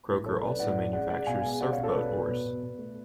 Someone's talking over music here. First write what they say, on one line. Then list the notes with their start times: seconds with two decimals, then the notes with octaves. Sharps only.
Croker also manufactures surf boat oars.
0.09 A2
0.26 F#3 A4 C#5
0.43 C#4 B4 D5
0.59 A2 D5 F#5
0.77 C#4
0.93 G#3 D5 F#5
1.10 G#3 D5 F#5
1.27 B2 F5 G#5
1.44 G#3
1.61 C#4 D5 F#5
1.72 C#5 F5
1.77 B2
1.83 A4 C#5
1.94 B2 B4 D5
2.11 B2
2.28 B2
2.46 B2
2.62 B2
2.78 A3